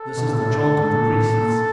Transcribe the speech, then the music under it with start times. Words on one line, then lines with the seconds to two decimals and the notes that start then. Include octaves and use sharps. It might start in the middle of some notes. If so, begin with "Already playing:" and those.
This is the chaunt of the Priests.
Already playing: A4
0.17 B2
0.26 A#2
0.34 A2 A4
0.77 G#2
0.95 A#2
1.05 A2
1.33 A#2